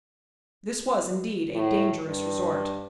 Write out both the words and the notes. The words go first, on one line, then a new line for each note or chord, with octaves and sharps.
This was, indeed, a dangerous resort.
A2
G2